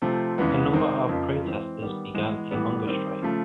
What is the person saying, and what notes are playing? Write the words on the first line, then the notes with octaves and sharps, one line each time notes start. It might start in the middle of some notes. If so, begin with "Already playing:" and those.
A number of protesters began a hunger strike.
C3 F3 A3 C4
E2 C#3 E3 G#3 B3
D#3 G#3 C4 D#4
F2 C#3 F3 A#3
E3 G#3 C4
D#3 G3 B3
E3 G#3 B3
A2 E3 G3 B3
D#3 G3 C4
C#3 F3 A3